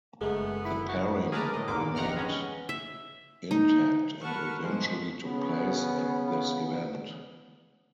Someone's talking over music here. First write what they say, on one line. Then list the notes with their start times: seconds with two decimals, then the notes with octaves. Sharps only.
The pairing remained intact and eventually took place at this event.
0.21 F#1 F#2 G#3 A3 B3
0.65 E4 B5
0.88 F#4
1.32 G#4 A#4 B4 A5 A#5 D6
1.54 A2 D#5
1.68 A#1 E2 G#2 D3 A#3 D6
1.96 G1 C2 D#3 F#5 A#5 F6
2.16 G#3 B3 C#4
2.69 E5
3.51 D#4
4.21 A#4 B4 F#5 A5 C#6 F6
4.60 B2 F3 G#3 C5 G#5 C#6
5.25 C#3 B3